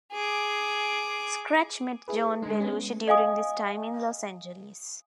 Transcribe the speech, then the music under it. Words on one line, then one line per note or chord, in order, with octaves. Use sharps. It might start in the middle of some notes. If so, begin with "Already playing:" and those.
Scratch met John Belushi during this time in Los Angeles.
G#4 D6
E4 G#4 B4
D3 G#3 D#4
B3 C#4
D#5 F5 G#5 D#6